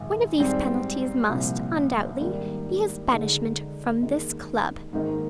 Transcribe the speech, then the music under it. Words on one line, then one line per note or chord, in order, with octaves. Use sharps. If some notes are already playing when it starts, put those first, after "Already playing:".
One of these penalties must, undoubtedly, be his banishment from this club.
Already playing: A#1 G#2 D#3
G#2 G3 C4
C2 A#2 F3 C4
G#2 D#3 G3 A#3 D4
D3 G#3 D#4 G#4
D#2 D#3 G#3
G#2 D#3 A#3 D#4